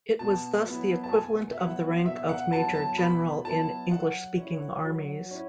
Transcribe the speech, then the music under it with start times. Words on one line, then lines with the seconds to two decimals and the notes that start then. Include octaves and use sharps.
It was thus the equivalent of the rank of major general in English-speaking armies.
0.19 B2 A5
0.66 F#3 B3 E4
1.04 A5
1.13 B2 G#5
1.52 E5
1.59 F#3 B3 E4 F#5
2.06 B2 E5
2.29 F#5
2.53 F#3 B3 E4 A5
2.75 A5
2.98 B2 B5
3.45 F#3 B3 E4 A5
3.91 F#3 F#5
4.37 C#4 E4
4.84 F#3
5.31 C#4 E4